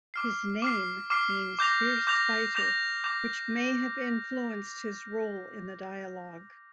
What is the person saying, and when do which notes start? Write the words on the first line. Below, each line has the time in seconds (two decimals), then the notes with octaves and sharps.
His name means "fierce fighter", which may have influenced his role in the dialogue.
0.14 D6 F6 C7
0.62 D6 F6 C7
1.10 D6 F6 C7
1.59 D6 G6 A#6 F7
2.07 D6 G6 A#6 F7
2.55 D6 G6 A#6 F7
3.04 D6 G6 A#6 F7